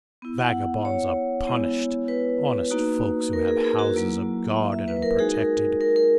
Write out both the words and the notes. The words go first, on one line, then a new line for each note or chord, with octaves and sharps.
Vagabonds are punished, honest folks who have houses are guarded and protected.
B3 E4
F#5
C#5
G#3 B3 E4
B4
A#3 D#4 F#4
A#4
G#4
G#4
F#4
F#3 A#3 E4
E5
E5
B4
A#4
G#3 D#4 F#4 G#4
A#4
A#4
A#4